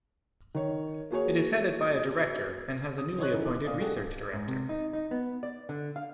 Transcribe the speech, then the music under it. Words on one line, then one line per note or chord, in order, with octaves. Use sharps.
It is headed by a Director, and has a newly appointed Research Director.
D#3 C#5
A#3 F#4 G#4 C#5
D#6
C5 C#5 D#5 C#6 F#6
C#3 E3 D#4 A4
D6
A#2 D4 F5 D#6
G#3 A3 D4 F#4 G4 A4
G#2
C3
D#4
D#4
B3
D5
D3
F5